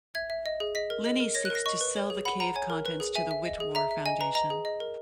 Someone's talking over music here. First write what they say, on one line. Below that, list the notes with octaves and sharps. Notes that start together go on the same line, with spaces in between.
Lini seeks to sell the cave contents to the Wittwar Foundation.
E5 G#6
E5
D#5
G#4
D#5 B6
A#4
D#5
A#4
C#5 A#6
F#6
A#4 A#6
D#5 C#6
B4
C#5
G#4
F#5 B5
F#5 A#5
C#5 G#5
A#4
B4
G#4
E5 G#5
E5
D#5
G#4
E5 A#5
E5
D#5 G#5
B4 A#5
D#5 A#5
G#4
D#5
A#4